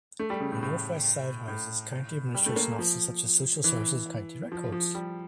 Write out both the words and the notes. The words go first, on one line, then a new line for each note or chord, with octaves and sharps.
The Northwest side houses county administrative offices such as social services and county records.
A3
G3
C#3
A2
A2
A2
G3
A3
A#3
F3
E3
F3
F3
G3